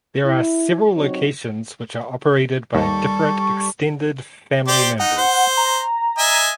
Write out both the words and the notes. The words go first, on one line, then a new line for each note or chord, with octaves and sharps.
There are several locations which are operated by different extended family members.
E4
F#3 C4 D#4 F#4 C#5
D#2 G3 A4 C#6
G4 C5 D5
D#4 F#5
C5
A#5
D#5 E5 G#5